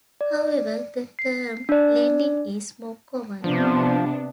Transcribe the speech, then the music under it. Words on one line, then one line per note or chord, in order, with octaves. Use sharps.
However the term "lending" is more common.
D5
C7
D4 D5
C3 F3 B3 D4